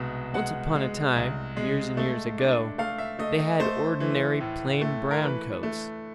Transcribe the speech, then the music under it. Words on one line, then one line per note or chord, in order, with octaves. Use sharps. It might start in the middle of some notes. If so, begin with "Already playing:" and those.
Once upon a time, years and years ago, they had ordinary plain brown coats.
Already playing: C2 B2 G#3
G#3 F#5
G#3
C2
G#3
A3
D4
A3 F5
E5
A3 D#5
D#5
A3 C5
E3
A2
A3
A#4
E3 B4
A3